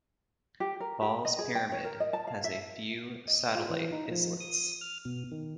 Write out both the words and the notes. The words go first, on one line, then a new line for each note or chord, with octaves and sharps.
Ball's Pyramid has a few satellite islets.
G4
A#4
G4
D#5
G#4
G5
C#5
A#4
D#5
A5
F5
E5
D#5
F4
E3
D#4
F3
D#6
F6
B2
D#3